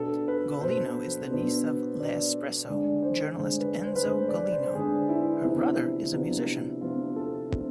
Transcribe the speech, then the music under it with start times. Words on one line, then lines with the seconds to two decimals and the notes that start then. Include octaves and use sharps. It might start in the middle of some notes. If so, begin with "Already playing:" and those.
Golino is the niece of "L'Espresso" journalist Enzo Golino; her brother is a musician.
Already playing: B2 B3 D4 A4
0.28 B4
0.61 B2 B3 D4 C5
1.30 B2 B3 D4
1.99 B2 B3 D4 D5
2.68 D3 G#3 D4 D5
3.02 C5
3.36 D3 G#3 D4 C5
3.60 B4
3.84 C5
3.95 B4
4.06 D3 G#3 D4 C5
4.28 D5
4.52 C5
4.75 D3 G#3 D4 G#4
5.09 E4
5.43 C3 F3 B3 D4 E4
6.12 C3 F3 B3 D4
6.81 C3 F3 B3 D4 F4
7.16 A4
7.50 C3 F3 B3 D4